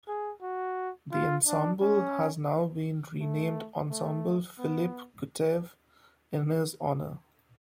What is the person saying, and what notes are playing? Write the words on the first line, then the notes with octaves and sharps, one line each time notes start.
The ensemble has now been renamed Ensemble Philip Kutev in his honor.
G#4
F#4
F4
D4
C#4
A3
A3
B3